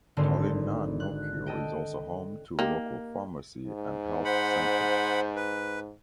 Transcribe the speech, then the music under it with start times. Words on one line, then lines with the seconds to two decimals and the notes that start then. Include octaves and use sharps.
Tallinnanaukio is also home to local pharmacy and health center.
0.17 G#1 D3 C4
1.00 F#6
1.46 A4 D#5 G5
2.59 A#3 D#4 G4
3.67 G#2
4.25 C5 F#5 B5
5.36 B4